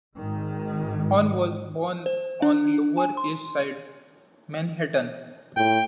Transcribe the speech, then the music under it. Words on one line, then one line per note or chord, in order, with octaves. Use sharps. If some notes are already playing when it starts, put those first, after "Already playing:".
Horn was born on Lower East Side, Manhattan.
G#1 G#2 D#3
C5
D4
G#5
C6
A2 G5